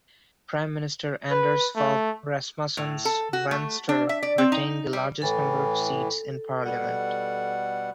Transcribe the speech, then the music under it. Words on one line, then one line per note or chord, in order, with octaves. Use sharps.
Prime Minister Anders Fogh Rasmussen's Venstre retained the largest number of seats in parliament.
B4
A3
A2
A4
F#4
A3
D4
E5
D5
C4
D#4
G3
A2 E3 A4
B2 G3 F#5